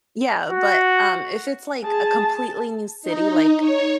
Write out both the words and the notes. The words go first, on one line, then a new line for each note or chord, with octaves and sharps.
Yeah, but, um, if it's like a completely new city, like
F#4
G#4 A5
D#4
C#5